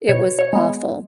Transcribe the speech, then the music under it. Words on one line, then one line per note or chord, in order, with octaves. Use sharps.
It was awful.
B2 C#5
C#5
G#3 B3